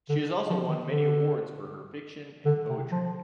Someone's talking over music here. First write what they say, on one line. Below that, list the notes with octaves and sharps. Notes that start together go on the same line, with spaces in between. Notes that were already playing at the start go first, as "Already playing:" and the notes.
She has also won many awards for her fiction and poetry.
D3
F3
D#3
D3
D3
C3
F3